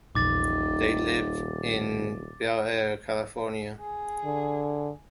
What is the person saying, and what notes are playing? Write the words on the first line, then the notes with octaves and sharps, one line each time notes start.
They lived in Bel Air, California.
D#1 A#1 E2 D#3 D6 A6
G#4
D3